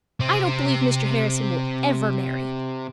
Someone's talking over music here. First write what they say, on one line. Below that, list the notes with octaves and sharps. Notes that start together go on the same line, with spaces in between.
I don't believe Mr. Harrison will ever marry.
C3 C4